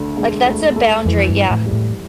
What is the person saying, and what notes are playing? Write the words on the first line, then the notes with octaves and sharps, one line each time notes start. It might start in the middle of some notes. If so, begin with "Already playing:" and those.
Like, that's a boundary, yeah.
Already playing: D2 D3 A3
E1
D2
A3
F2 E3
G2
F2
A2
G3
A2